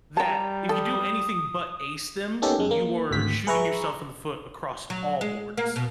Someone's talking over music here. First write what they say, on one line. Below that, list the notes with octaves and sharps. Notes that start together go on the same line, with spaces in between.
that if you do anything but ace them, you were shooting yourself in the foot across all boards.
G3 G5 A5 A#5
A4 D#6
A#3 B3 C#4 D#4 G4 A4
F#2 G#3
A#3
G#1 D2 B6
G#4 B4 E5 A#5 C#6
F#3
G#3
A#3
B2